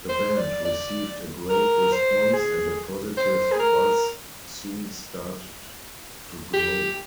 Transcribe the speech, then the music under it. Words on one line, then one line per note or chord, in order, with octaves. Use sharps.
The band received a great response and a positive buzz soon started to grow.
C5
D5
D5
A#4
C5
G#4
C5
G#4
A#4
G4